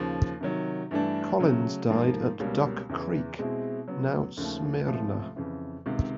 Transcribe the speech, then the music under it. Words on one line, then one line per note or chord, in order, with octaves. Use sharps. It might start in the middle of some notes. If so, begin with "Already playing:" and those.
Collins died at Duck Creek, now Smyrna.
Already playing: D#2 C#3 F3
C3 D#3 F#3
G2 E3 A3 D4
C#3 F#3 A3
G#2 F3 A#3
C#2 B2 G3 A#3 C#4
E2 C#3 E3
B2 G#3 C4 E4
C#3 F#3 B3
D#2 C#3 F3 A3
C#2 C3 F3 A3
F2 C#3 E3
C#2 C3 D#3